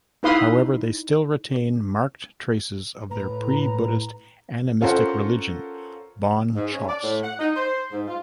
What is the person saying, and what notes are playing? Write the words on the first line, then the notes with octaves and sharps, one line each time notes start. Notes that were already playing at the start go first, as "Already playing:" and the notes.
However, they still retain marked traces of their pre-Buddhist animistic religion, Bon-chos.
D#4 E4 B4 F5 C6 D#6
A2 B4 A#5
C#4 F4 A4 A#4 C5 F#5
G#2
C#4
D5
A2
F#5
D#4
C5
G#2
F4